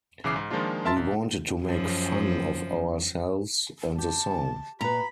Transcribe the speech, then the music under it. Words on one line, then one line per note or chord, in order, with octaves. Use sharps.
We wanted to make fun of ourselves and the song.
B1 C#3 E3 D6 C7
G#2
D#3 F3 G#3 A#3 D4 F4
A#4 E5 A5 C6 A6
B1
F#2 F3
G4 A5
A#2 B4 A#5 B5